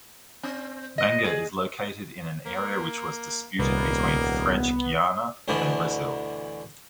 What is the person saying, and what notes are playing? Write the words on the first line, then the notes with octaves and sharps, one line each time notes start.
Manga is located in an area which was disputed between French Guiana and Brazil.
C4
D#5
G#4
A#3
D#1 C2 A#3 B3
D2 B2 D3 E3